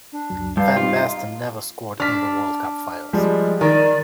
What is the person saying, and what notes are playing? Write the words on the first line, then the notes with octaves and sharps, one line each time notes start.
Van Basten never scored in the World Cup Finals.
D4
C#2 F#2 F#3
G2 B4 F5 A5 G6
C4 D#4 F4 G4
D#5 A#5 C6
D4 F6 B6
F3 G3 G#3
D#3 A#4 D5